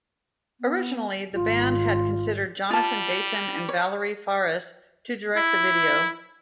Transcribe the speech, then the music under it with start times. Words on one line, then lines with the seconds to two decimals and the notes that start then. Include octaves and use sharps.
Originally, the band had considered Jonathan Dayton and Valerie Faris to direct the video.
0.60 B3
1.34 G#1 F4
2.71 G3 F4 A5
3.69 C#5
5.36 E4